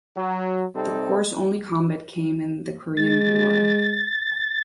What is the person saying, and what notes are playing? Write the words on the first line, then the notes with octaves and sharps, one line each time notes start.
The corps' only combat came in the Korean War.
F#3
C3 G3 C4 D#4 A4
G#3 A6